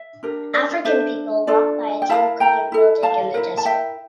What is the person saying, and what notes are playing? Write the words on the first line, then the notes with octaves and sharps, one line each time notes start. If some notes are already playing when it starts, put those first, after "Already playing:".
African people walk by a teal colored building in the desert.
Already playing: E5
D4 G4 A#4
D5
D5
D4 A4 C5 E5
D4 F4 A4 D5
G5
E4 G4 A#4 F5 A5
G5 A#5
E4 A4
F5 A5
E4 A#4
A5
E5 G5